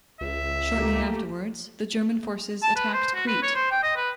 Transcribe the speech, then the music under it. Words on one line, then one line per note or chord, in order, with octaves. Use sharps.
Shortly afterwards, the German forces attacked Crete.
C#2 E5
A3 A#3 G4
A5
B4
C5
F#4
B4
C#5
C5
G5
D#5
B4